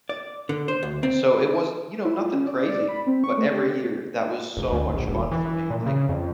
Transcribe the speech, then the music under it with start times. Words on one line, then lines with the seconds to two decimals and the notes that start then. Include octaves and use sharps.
and so, it was, you know, nothing crazy, but every year, that was so much fun for me, like,
0.09 D5
0.49 D3
0.68 C5
0.83 D2
1.03 C4
2.04 E4
2.18 F4
2.32 C#4
2.47 D5
2.68 D5
2.88 B5
3.06 C4
3.24 C#6
3.37 A3
3.52 G4
4.57 F1
4.72 D2
4.94 A#1
5.08 E1
5.31 E3
5.70 A#2
5.86 C#3
6.09 F2